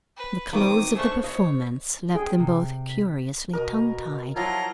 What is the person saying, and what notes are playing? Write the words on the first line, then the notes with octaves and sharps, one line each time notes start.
The close of the performance left them both curiously tongue-tied.
B4
D#3 E3 F#3 C4 D6 D#6
A3 D4 G#4 C5 C#6
C#5 D#5
G#4 G5
C3
B6
B2 A#4 D#5
F3 F#3 E4 F4 A#5